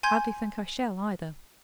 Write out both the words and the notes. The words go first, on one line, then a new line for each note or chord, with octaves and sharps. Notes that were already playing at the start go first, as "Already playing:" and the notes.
Hardly think I shall, either.
G#5 C6 G6 G#6